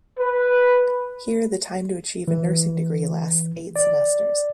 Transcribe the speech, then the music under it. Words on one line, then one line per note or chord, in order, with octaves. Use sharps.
Here the time to achieve a nursing degree lasts eight semesters.
B4
E3
D5